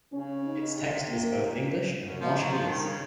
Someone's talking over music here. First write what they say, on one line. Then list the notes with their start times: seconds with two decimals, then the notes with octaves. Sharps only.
Its text is both English and Marshallese.
0.13 C#3 C#4
0.46 D#4
0.77 C3
1.09 A#3
1.41 A#2
2.05 F#2
2.20 F3
2.36 F#3
2.52 F3
2.68 D#3
2.79 D#3
2.84 C#3